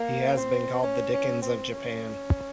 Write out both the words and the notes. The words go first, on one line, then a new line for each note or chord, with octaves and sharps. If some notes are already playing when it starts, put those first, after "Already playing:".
He has been called the Dickens of Japan.
Already playing: A#3
C4
C#4
C#4
C4
C#4